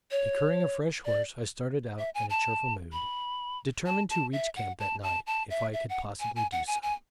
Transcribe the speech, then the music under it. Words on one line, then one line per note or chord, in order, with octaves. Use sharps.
Procuring a fresh horse, I started out in a cheerful mood, determined to reach camp that night if I could possibly do so.
C#5
D5
E5
G#5
A5
B5
A5
A5
E5
F#5
A5
A5
A5
E5
E5
F#5
G#5
G#5
F#5
G#5
G#5